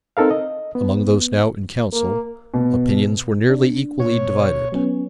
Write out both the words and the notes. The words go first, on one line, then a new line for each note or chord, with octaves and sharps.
Among those now in council opinions were nearly equally divided.
C4 D#4 A4 A#4 F5
D#5
B3
A#3
B2
D4
B2 C#5
F#3 B3 C#4